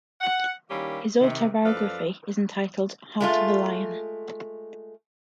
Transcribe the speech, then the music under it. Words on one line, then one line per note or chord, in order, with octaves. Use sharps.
His autobiography is entitled "Heart of the Lion".
F#5
D#3 G3 A#3 C#4 E4 G4
C3 D#3
F#2 F3 A4 B4 D5 F5
G#3 A3 F4